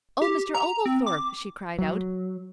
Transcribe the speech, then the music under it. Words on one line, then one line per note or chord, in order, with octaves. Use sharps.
"Oh, Mr. Oglethorpe!" she cried out.
G4
A#5
C4
D6
F#3